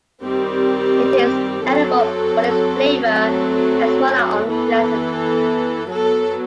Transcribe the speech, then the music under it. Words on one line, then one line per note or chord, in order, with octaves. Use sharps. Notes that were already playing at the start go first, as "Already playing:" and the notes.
It is edible but its flavor and small are unpleasant.
D#3 G3 C4 G4
F#3 C4 A4
F#3 A3 C4 A4
E3 B3 A4
F#3 B3 A4